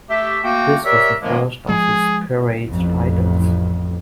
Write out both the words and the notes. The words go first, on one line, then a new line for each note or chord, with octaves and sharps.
This was the first of his peerage titles.
A3 G4 E5
A3 A#3 F#4 G5
G4 A#4 C#5 D5 E5
F#2 A2 D#3 F3 G#3 A#3
F3 G#3 G#4
A1 F2